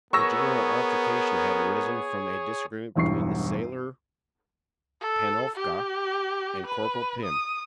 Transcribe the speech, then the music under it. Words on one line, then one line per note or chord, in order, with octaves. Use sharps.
A general altercation had arisen from a disagreement between the sailor Panofka and Corporal Pim.
B3 G#4 A#4 C#5 C#6 E6 A#6
E1 B1 E2 G2 C#6 C7
A4
G4
B4
D#6